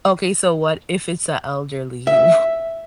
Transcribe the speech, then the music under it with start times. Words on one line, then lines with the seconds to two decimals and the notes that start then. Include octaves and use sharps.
Okay, so what if it's a elderly, wo
2.07 E5